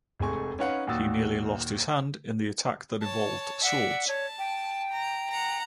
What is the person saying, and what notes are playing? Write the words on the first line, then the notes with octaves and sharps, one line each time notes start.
He nearly lost his hand in the attack that involved swords.
F1 G#3 A3 G#5 C#6
C#4 D#4 B4 C#5 F5 F#5
D#2 A#2 F#4 D#6 E6 A6
C#5 A5
D5 E5 F#5
C#5 A5
G5
A#5
F#5 A#5